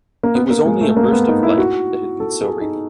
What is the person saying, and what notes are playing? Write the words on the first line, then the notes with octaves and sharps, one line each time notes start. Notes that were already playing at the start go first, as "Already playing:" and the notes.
It was only a burst of light that had been so radiant.
A#3
B3
A#3
G#3
A3
A#3
B3
D#4
E4
F#4
A4
G#4
D#4